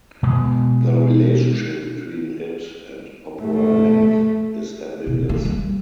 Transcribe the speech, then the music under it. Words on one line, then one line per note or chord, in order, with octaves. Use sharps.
The relationship between it and "opera length" is ambiguous.
B2 G#3 B3
A3
B2
A#3
G3